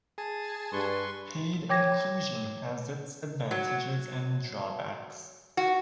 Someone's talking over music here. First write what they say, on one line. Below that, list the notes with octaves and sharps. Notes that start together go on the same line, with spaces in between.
Paid inclusion has its advantages and drawbacks.
G#4 G#5 A5
G2 B4 C6 C#6
C#5 G5 D6 G#6 A#6
F#3
F#4